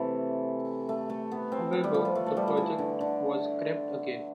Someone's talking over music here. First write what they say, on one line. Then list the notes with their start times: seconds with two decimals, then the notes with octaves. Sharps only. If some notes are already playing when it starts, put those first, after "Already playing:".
However, the project was scrapped again.
Already playing: C3 E3 A3
0.89 A3
1.10 A3
1.32 B3
1.52 C4
1.73 B3
1.84 G3
1.94 F3
2.05 F3
2.15 A3
2.26 A3
2.37 G3
2.48 F3
2.57 E3
2.78 D3
3.01 D3